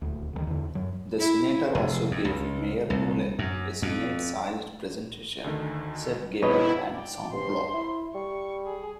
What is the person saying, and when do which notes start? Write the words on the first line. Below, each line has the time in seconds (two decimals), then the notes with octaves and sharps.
The Senator also gave Mayor Nolen a Senate-sized presentation set gavel and sound block.
0.02 D#1 D2
0.33 D2 B2 D#3
0.47 E2 D3
0.75 F#2 F#3
1.19 E4
1.75 F1
2.11 F2
2.25 C#2
2.90 C2
3.39 F#2
3.82 F2
5.44 D2 D3 D#3
6.42 F2 B2 E4 B4 C#5 D#5
6.93 D5 G5
7.33 G2 C5 C6
7.73 E4
8.15 G3 C#6
8.66 G#4